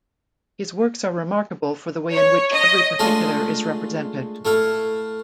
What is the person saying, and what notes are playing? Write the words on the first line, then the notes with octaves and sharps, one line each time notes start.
His works are remarkable for the way in which every particular is represented.
C#5
D#5
G#3 A3 D4 F4
A3 E4 F5